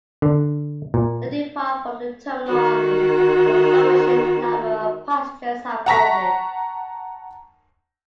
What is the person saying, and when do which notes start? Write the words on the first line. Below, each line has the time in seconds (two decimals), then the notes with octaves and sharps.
They depart from the terminal only when a sufficient number of passengers have boarded.
0.22 D3
0.94 A#2
2.46 D#3 F#4
5.86 F#5 A5 A#5 C#6 A#6 B6